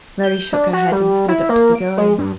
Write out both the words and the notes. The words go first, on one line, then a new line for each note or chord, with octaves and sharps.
Mary shook her head, and stood up to be going.
G6
D4
F#4
G3
E4
A#3
D7
G#3
G2